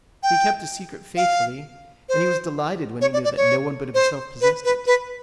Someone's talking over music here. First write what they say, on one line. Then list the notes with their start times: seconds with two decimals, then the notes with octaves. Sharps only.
He kept a secret faithfully, and he was delighted when he knew that no one but himself possessed it.
0.23 G5
1.17 F5
2.09 C5
3.01 C#5
3.13 D5
3.24 D5
3.37 C#5
3.94 C5
4.41 B4
4.65 B4
4.87 B4